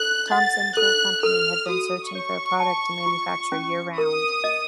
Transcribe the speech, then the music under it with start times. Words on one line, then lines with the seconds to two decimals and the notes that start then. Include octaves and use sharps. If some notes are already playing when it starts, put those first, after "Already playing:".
Thompson Tool Company had been searching for a product to manufacture year-round.
Already playing: A4 F#6
0.31 F#5 A6
0.77 A4 F#6
1.23 A4 F6
1.69 F#4 D#6
2.14 C#5 C#6
2.60 A5
3.06 F4
3.52 C#4
3.98 A#4 D#6
4.44 D#5